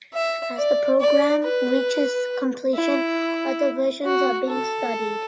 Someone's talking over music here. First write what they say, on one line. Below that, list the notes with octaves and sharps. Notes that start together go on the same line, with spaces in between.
As the programme reaches completion, other versions are being studied.
E5
D5
D5
B4
E4
F#4
A4